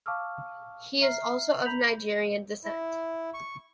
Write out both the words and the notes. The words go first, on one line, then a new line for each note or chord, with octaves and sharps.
He is also of Nigerian descent.
F5 A5 C#6 D6 E6 F6
E5 A#5 F6 C7
A#5 B5 G6 B6 F7 F#7
E4
C#6